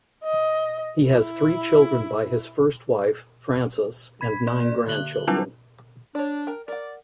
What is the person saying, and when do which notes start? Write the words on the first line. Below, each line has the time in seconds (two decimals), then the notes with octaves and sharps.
He has three children by his first wife Frances and nine grandchildren.
0.24 D#5
1.10 E4
4.21 B5 G#6 B6
4.47 A#3 D5
4.87 D3 F#6 F#7 G7
5.27 F#3 G3 C4 D4 E4 F4
6.15 D4 C#5 D5
6.47 A#4 G5
6.68 A#4 D5 F#5